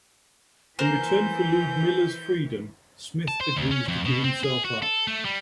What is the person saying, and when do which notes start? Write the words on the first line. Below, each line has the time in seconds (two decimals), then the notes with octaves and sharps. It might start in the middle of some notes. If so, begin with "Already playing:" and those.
In return for Ludmilla's freedom, Smith agrees to give himself up.
0.79 E3 A#3 A#4 C5 G#5 G6
3.28 A5
3.41 C5
3.56 D2
3.71 C#4
3.88 F2
4.05 B2
4.24 C4
4.44 G#4
4.65 F#4
4.82 A4
5.07 A3
5.25 G3